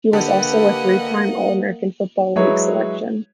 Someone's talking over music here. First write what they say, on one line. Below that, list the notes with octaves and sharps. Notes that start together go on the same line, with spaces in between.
He was also a three-time all-American Football League selection.
D3 A#3 G4 B4 D#5 F#5 A5
F#3 G#3 E4 B4 C#5